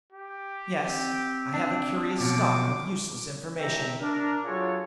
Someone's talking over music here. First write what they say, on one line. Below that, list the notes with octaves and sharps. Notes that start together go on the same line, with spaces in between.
"Yes, I have a curious stock of useless information."
G4
C4
D4
B2 F3 F#3 D6
G#1 C3 E3 E5 G5 A#5
D4 A#4
F#3 F4 G#4 A4 C#5